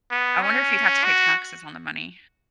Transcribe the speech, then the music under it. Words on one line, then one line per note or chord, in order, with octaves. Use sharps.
I wonder if you'd have to pay taxes on the money.
B3
C#4
F#4